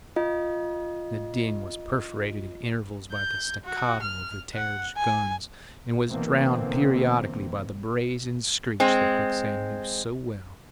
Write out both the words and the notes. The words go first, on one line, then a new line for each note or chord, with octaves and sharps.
The din was perforated at intervals by the /staccato/ of the Terror's guns, and was drowned periodically by the brazen screech that Quicksand knew so well.
F4 D#5
G6
F#4
F6
F#5
G#5
B2 D3 E3 A#3 C4
G#3 C4